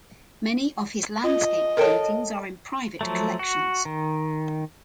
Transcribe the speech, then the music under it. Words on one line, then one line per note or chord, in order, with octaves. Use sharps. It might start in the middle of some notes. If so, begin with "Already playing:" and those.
Many of his landscape paintings are in private collections.
F4 D#5
A4 A#4 C#5 G5 A5
F3 F#3 A3
F#4
D#3